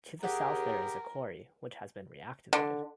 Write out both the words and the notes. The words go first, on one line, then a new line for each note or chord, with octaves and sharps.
To the south there is a quarry, which has been reactivated.
D#2 G4 G#4 A#4 F#5
D3